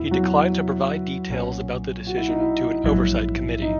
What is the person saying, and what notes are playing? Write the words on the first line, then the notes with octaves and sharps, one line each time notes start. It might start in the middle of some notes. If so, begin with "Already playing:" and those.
He declined to provide details about the decision to an oversight committee.
Already playing: E2 B2 B3 E4
F#3 F#4
B1 A#2 F#3 C#4
F#4
E4
D#4
E4
A#1 G#2 F#3 E4
D#4